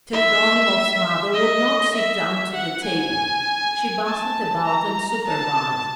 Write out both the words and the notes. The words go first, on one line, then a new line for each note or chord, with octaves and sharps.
Pseldonimov's mother would not sit down to the table; she bustled about and supervised.
E5
D#5
E5
F#5
G#5
A5
A#5
A5